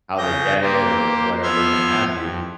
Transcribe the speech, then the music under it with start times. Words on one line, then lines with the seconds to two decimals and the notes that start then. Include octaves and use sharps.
how they get it or whatever it may have you,
0.18 C#3 G6 A#6
0.61 A#3 G4 C5
1.43 F3 B3 E5 C6 F6 G#6
2.16 F2